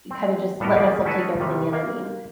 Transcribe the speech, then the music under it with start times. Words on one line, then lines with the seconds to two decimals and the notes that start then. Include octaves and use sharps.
kinda just let myself take everything in, I mean.
0.11 C4
0.60 A2 G3 B3 A4 A#4 D#5
0.76 G#3 A#3 C#4 G#4 D5 G5
1.05 C#4 D#4 E4 F#4 A4 B4
1.40 C3 D#3 G3
1.73 A#3